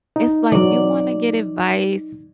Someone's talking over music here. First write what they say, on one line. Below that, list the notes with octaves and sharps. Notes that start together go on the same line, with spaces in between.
It's like you wanna get advice
D#4
E3 F#3 D5